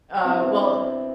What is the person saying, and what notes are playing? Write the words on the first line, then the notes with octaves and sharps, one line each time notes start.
Uh, well,
F#4
C4 E4
B3 D4